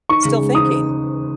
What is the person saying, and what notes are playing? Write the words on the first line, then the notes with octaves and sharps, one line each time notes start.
still thinking.
D#4 C#6
C#3
G#3
D#4 D#6